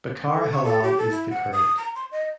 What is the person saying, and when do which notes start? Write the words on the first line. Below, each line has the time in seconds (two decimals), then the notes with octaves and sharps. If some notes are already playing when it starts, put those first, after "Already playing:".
Bechara Helal is the current.
0.33 A4
0.52 C#6
0.64 A4
0.83 G4
0.98 A4
1.11 E4
1.30 F#5
1.53 D#6
1.78 A#5
1.95 C6
2.12 D#5